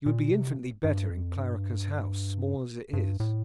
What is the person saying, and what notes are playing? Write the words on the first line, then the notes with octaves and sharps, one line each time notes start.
You would be infinitely better in Clarriker's house, small as it is.
A#2
C3
G2
F2
G2
G2
A2